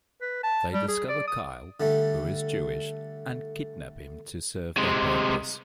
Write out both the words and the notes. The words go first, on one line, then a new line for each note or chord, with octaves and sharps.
They discover Kyle, who is Jewish, and kidnap him to serve their purpose.
B4
A5
G3
G#4
D5
D#6
D3 G3 A3
C3 G#3